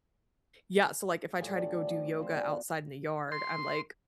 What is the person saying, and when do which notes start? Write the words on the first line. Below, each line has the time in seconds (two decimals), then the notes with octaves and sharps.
yeah, so like, if I try to go do yoga outside in the yard, I'm, like,
1.39 A2 F3 G3 G#5
1.58 D4 D5
1.87 F3
2.19 F3 G3 C4 C5
2.34 B2 A4 F#5
3.32 C6